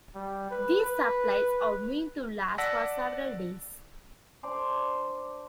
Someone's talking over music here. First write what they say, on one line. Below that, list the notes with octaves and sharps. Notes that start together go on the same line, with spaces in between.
These supplies are meant to last for several days.
G3
B4
B4
D5 F#5 A5 E6 A#6 B6
D4 C5 D5 C6